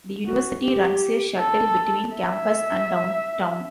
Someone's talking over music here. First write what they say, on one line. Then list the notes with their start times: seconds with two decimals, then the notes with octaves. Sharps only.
The university runs a shuttle between campus and downtown.
0.26 F#4
0.63 G4
1.39 A4
2.15 E5